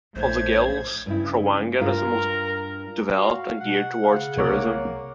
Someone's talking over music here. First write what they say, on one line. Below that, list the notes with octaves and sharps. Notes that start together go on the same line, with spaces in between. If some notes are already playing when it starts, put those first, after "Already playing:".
Of the Gilis, Trawangan is the most developed and geared towards tourism.
A#1 A2 C5 G#6
G2 C#3 E4
G2 D4 F4 A#4
F#4 F5
B2 F#5
C#3 F5
C2 A#3 C#5 D6